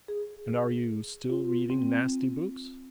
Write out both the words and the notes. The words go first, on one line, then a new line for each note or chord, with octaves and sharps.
"And are you still reading nasty books?"
G#4
F4
C4